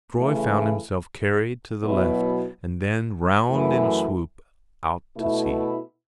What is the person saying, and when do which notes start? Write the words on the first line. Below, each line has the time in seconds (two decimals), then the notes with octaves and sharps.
Troy found himself carried to the left and then round in a swoop out to sea.
0.17 C#3 E3 A3 E4
1.83 B2 F#3 B3 E4
3.50 F#2 E3 A3 E4
5.17 B2 A3 E4